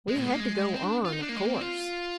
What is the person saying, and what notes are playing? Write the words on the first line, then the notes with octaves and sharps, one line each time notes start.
We had to go on, of course.
G#3
A#2
G#3
A#3
G#3
C4
D4
F4
D#4
D4
A#3
G#3
A#3
C4
F4